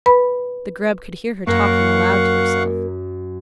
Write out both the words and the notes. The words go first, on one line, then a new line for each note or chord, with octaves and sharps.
The Grub could hear her talking aloud to herself.
B4 B5
F#2 A#3 A#4 F5 F#5 C#6